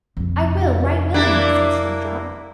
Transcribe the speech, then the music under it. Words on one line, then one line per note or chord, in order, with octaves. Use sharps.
"I will, right willingly," said Snowdrop.
F2 C3
A#3 D4 E4